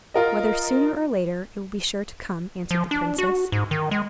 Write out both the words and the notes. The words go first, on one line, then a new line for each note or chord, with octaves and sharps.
"Whether sooner or later, it will be sure to come," answered the princess.
F4 A#4 D#5
F3
D4
F#4
G#2
D#3
G#3